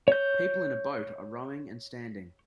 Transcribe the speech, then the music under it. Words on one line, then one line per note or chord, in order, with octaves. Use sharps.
People in a boat are rowing and standing.
C#5 G6